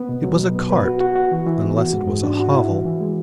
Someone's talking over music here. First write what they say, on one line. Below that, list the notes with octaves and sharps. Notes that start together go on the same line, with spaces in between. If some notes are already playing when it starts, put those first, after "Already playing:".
It was a cart, unless it was a hovel.
Already playing: B3
B2
F#3
B2
B3
B4
F#4
F#4
F#4
E3
E3
B3
F#4
G#2
G#2
D4
F#4
E4
E3
E3
G#3